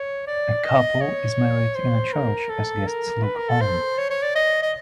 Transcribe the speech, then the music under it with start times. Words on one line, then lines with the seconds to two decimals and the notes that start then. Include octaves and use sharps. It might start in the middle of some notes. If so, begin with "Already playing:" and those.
A couple is married in a church as guests look on.
Already playing: C#5
0.27 D5
0.64 D#5
1.01 C#5
1.75 C5
2.13 A#4
2.50 A4
2.87 A#4
3.23 B4
3.36 A#4
3.49 A4
3.61 C5
3.98 C#5
4.10 C#5
4.23 D5
4.35 D#5
4.63 D#5